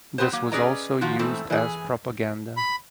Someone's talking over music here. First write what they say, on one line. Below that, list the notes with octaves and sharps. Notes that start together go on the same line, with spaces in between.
This was also used as propaganda.
B3 C4 G4 B4 C5
F#3 A#3
C#4 G#4 B4 D5 D#5 A#5
D#3 F3 F4 F#4
G#2 B2 E3 A3 C4
E3 G#4
B5